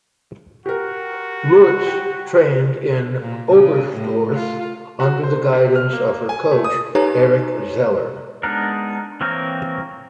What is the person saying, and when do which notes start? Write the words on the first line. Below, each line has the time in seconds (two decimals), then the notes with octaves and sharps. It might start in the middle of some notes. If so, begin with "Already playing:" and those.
Lurz trained in Oberstdorf under the guidance of her coach, Erich Zeller.
0.66 F#4 G4 A#4
1.87 G4
3.20 A#2
3.52 C#3
3.93 A2
4.35 F4
5.00 F#4
5.23 C5
5.53 C3
5.76 F6
5.93 A#3
6.29 G#5
6.51 A3
6.64 D#6
6.95 D#4 G4 A4 B4 C#5 A#5
8.43 G#3 B3 D4 D#4 A#4
9.21 E3 A#3 C4 A#4 C#5